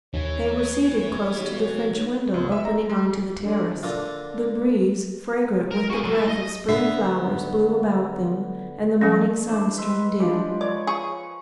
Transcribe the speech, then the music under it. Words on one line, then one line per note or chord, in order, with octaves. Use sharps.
They were seated close to the French window opening on to the terrace; the breeze, fragrant with the breath of spring flowers, blew about them, and the morning sun streamed in.
D#2 E3 C#5
B1
C#2
E5
A#5
G#3
D3
D3 A#3 F4
A#4
F#4 G#5
B1 F#3
E4 A4
D#5
D3 B3 D4 E5
F3 G3 C#4
E3 D4 C5
G#3 B4 C6 E6
F3 D4 G4 B4
C#5 D5
G#4 C#6